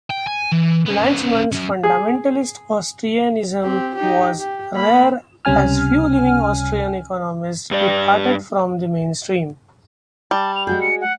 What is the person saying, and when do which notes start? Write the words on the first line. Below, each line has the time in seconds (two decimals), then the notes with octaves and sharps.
Lachmann's "fundamentalist Austrianism" was rare as few living Austrian economists departed from the mainstream.
0.10 G5
0.27 G#5
0.52 E3
0.86 B3 C#4
1.53 F#3 C#4
1.83 G#4
3.62 C4 G4
3.95 D#4 G4
4.39 G4
4.74 A#3 B5
5.45 C#2 C3 G3 C#4 G#5 F6
7.71 G2 G4 D5
10.31 G3 A5
10.56 F7
10.67 G#3 F#4 G#4 G6
10.81 C#7
11.01 F#5